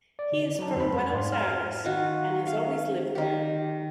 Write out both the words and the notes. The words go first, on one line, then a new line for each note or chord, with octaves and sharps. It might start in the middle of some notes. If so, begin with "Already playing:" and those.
He is from Buenos Aires and has always lived there.
D5
D3
F#3 D#4 A5
F2 C5 B5
G#2 F5 C6
F6
D#3 F4 F#4
F5
D#3 G4